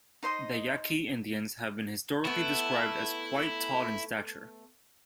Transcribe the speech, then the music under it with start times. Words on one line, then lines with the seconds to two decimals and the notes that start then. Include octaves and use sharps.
The Yaqui Indians have been historically described as quite tall in stature.
0.23 D#4 C5 D#5 C6
2.25 A3 B3 E4